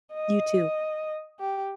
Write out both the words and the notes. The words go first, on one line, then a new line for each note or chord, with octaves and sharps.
You too.
D#5
G4